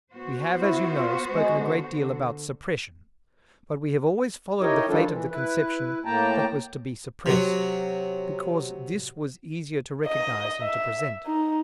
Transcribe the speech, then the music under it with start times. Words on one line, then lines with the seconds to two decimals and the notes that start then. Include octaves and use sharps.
We have, as you know, spoken a great deal about suppression, but we have always followed the fate of the conception that was to be suppressed, because this was easier to recognize and to present.
0.13 B3 F#4 C5
0.59 E4
0.97 F4
1.29 G#3
1.59 D3
1.89 D3
4.62 D#4 E4 G4 A#4 C#5 D#5
4.88 D#3 F3 G3 D4 F4 A4
5.11 E3
5.31 E4 B4
6.05 A2 A#3 G5 A5 A#5
7.26 C3 F#3
10.07 D#5
10.62 E5
11.26 D#4